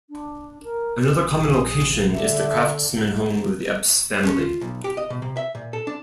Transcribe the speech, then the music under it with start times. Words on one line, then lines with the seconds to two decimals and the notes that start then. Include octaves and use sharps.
Another common location is the Craftsman home of the Eppes family.
0.10 D4
0.64 A#4
1.11 A#1 G#4
2.13 D3 E5
4.24 C#4
4.39 F4
4.61 B1
4.84 G4
4.97 D#5
5.10 B2
5.22 C3
5.37 E5
5.55 A#2
5.73 A4
5.87 D4